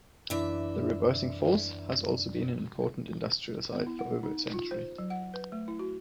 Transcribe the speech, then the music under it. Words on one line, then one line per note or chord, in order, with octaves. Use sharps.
The Reversing Falls has also been an important industrial site for over a century.
F#2 E3 D4 D5 E5
B3
E4
F#5
D#4
F4
C5
F#3
F#5
B4
A3
E4
F#4